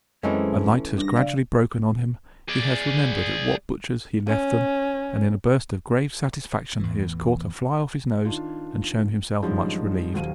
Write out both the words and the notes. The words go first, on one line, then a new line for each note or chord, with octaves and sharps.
A light has gradually broken on him, he has remembered at what butcher's he left them, and in a burst of grave satisfaction has caught a fly off his nose, and shown himself much relieved.
F#2 E3 G#3 A3 C4 C#4
G2 D4 A#6
C#3 D5 F5
G#4 D5
C#4
E2 A2 E3
D#3 D4 F4
G2 D#3 F3 F#3 G#3 C#4
D#1 D#2 F#3 F5 D#7